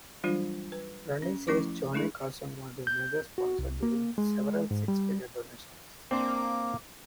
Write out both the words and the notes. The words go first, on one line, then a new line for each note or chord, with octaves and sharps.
Randi says Johnny Carson was a major sponsor, giving several six-figure donations.
E3 F#3 G3 D4 F4 C5
B4
C#4
F3 A3 C#4 E4 C#6 D6
G#3 A3 D4 E4 G#4
G6
F#4
C2
A#3
G#3
G#2
G3
A#3 C4 D4 C5 D6